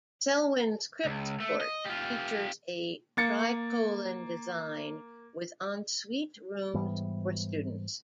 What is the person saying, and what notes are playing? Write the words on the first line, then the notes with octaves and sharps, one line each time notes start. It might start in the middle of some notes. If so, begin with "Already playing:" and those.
Selwyn's Cripps Court features a tricolon design with ensuite rooms for students.
C#2
A3
D#5
F4 G4
A#3 A6 C#7
G#2 E3 G3 B3